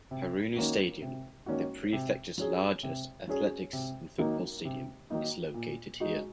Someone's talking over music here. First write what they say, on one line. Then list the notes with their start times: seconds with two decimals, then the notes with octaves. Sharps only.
Haruno Stadium, the prefecture's largest athletics and football stadium, is located here.
0.11 C3
0.56 D#3 A#3 C#4 F#4
1.02 C3
1.46 D#3 A#3 C#4 F#4
1.93 C3
2.38 F#3 C#4 G#4
2.83 C3
3.28 F#3 C#4 G#4
3.73 C3
4.19 D#3 F#3 A#3 D#4
4.65 C3
5.10 D#3 F#3 A#3 D#4
5.54 A#2
6.00 G#3 D#4 F#4